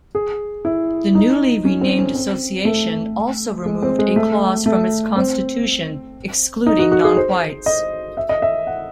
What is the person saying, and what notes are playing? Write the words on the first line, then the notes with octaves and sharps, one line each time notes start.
The newly renamed association also removed a clause from its constitution excluding non-whites.
G#4
E4
D#4
C#4
C4
C#4
C4
A3
G#3
C4
G#3
A3
A3
C4
D#4
F#4
F#4
G#4
C5
D#5
E5
D#5
E5
F#5